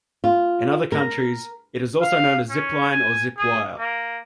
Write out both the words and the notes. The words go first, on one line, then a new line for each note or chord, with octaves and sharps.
In other countries, it is also known as a zip-line or zip-wire.
F4
A#4
F5
C#4
G#5
G#4
A#3